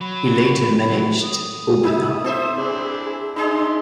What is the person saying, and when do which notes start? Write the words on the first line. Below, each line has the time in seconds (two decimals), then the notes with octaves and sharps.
He later managed Aubenas.
0.01 F#3 B5
0.90 F#3
1.22 D#6
1.83 D#4 E4 E5
2.24 C4 A4 C5 E5 E6
2.58 C4 D4 E4 G#4
3.36 D4 D#4 G#4 D#5 E5 C6